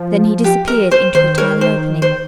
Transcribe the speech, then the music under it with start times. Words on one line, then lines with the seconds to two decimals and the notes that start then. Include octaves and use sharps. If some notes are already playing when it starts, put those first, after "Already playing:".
Then he disappeared into a tiny opening.
Already playing: F3
0.44 G4
0.68 A#4
0.91 C5
1.15 D#3 C5
1.38 A#4 C#5
1.61 C5
2.02 C5